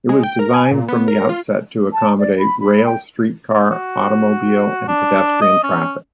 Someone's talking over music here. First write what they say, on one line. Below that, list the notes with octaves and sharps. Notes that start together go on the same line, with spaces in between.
It was designed from the outset to accommodate rail, streetcar, automobile and pedestrian traffic.
G#3
G5
A#4
G#5
A#2
B3
A#4
F4
A5
D5
B5
B5
G5
F#4
D4
D#5
C#4